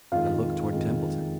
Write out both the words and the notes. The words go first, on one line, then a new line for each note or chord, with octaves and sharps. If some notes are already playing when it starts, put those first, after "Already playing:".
I looked toward Templeton.
F2 D#3 G#3 F4 F5
F2 D#3 G#3